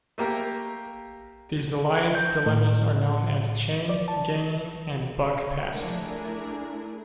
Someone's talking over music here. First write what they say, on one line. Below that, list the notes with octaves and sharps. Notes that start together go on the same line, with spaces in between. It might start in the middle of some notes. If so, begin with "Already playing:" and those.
These alliance dilemmas are known as chain ganging and buck passing.
A3 A#3 G4 A#4
G6
A2
D5
A5
A3 D4 E4 G#4 A#4